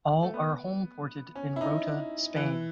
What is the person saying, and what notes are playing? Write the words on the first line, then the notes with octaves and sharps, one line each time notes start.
All are homeported in Rota, Spain.
A3
B3
C#4
E4
D#4
E3